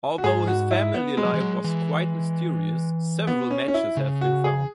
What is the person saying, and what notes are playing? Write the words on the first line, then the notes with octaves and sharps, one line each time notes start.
Although his family life was quite mysterious, several matches have been found.
F#4
G#2 G#4
F#4
E4
B3
G#3
F#3
E3
F#3
E3
B3
C#4
C#4
E4
C#3
F#4
G#4